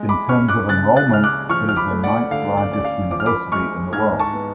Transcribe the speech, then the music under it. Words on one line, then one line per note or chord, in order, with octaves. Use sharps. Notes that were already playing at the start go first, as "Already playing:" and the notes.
In terms of enrollment, it is the ninth largest university in the world.
Already playing: G#3
B5 D6
C#4 C#6 F6
D6 F#6
C#3 F#6 A6
F#6 A6
C#3 F6
D6 F#6
F3 C#6 F6
F6
B5 D6
A3
D5 F#5
D3 F5
D5
C#4 D5
F5
F3 D6
F6
B5 D6
G#3 C#6 F6
G#2 F6 G#6
A5 C#6
B3